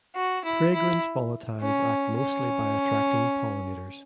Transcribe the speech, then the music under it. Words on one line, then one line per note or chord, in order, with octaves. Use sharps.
Fragrance volatiles act mostly by attracting pollinators.
F#4
E4
E4
C#4
C#4